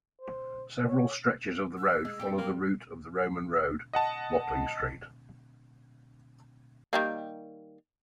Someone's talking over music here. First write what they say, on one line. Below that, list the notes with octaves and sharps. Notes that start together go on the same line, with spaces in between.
Several stretches of the road follow the route of the Roman Road: Watling Street.
C5
C#5
E6
G#3
G3 C4 G4
A#3
D#5 F#5 A5
D#3 G3 A#3